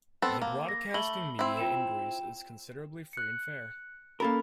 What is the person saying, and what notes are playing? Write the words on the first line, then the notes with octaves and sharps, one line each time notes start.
The Broadcasting Media in Greece is considerably free and fair.
B3 C4 A4
A#3
A#6
A3 B5 F#7 G7
C4 E4
F4 G5 E7
F#6 C#7
A#3 C#4 A4 A#4 B5